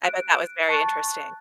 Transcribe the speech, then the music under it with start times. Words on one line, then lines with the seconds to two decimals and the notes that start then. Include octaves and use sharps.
I bet that was very interesting.
0.04 F#6 D7
0.69 A5 C#6 F#6 A6